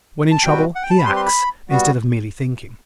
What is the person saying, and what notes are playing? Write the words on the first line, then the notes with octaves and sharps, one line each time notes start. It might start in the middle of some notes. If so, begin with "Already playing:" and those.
When in trouble he acts, instead of merely thinking.
A5
B2 G3 C4 F#4 B4 G5
F#5
G5
A5
B5
G3 C4 G4 B4 C6
C6
B5
G3 B3 F#4